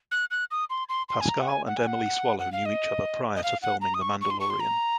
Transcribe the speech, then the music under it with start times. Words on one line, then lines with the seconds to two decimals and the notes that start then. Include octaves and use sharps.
Pascal and Emily Swallow knew each other prior to filming "The Mandalorian".
0.11 F#6
0.31 F#6
0.51 D#6
0.70 C6
0.89 C6
1.09 C6
1.21 G#5
1.29 A#5
1.40 F#5
1.48 G#5
1.67 F#5
1.77 G#5
1.87 F#5
2.39 F#5
2.52 F5
2.65 D#5
3.36 D#5
3.43 F5
3.63 F#5
3.81 A#5
3.94 D#6
4.01 C#6
4.21 C#6
4.30 C6
4.40 C#6
4.50 C6
4.60 A#5